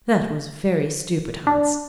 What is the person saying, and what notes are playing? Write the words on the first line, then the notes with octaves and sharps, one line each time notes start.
'That was very stupid, Hans.
D4